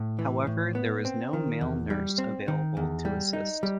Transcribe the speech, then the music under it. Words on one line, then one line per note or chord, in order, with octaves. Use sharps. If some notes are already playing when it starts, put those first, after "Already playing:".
However, there was no male nurse available to assist.
Already playing: A2
E3
A2
B3
C4
D#3
E2
G3
C4
D#3
E2
G3
D#4
G3